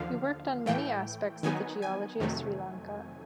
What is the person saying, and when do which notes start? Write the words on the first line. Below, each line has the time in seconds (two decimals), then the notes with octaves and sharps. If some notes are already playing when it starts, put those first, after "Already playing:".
He worked on many aspects of the geology of Sri Lanka.
Already playing: D#2 D3 F3 F5
0.66 A2 E3 A3 G5
1.43 D#3 F#3 B3 D#4 G#5
1.82 G#5
2.20 F2 C3 D#3 F#3 A3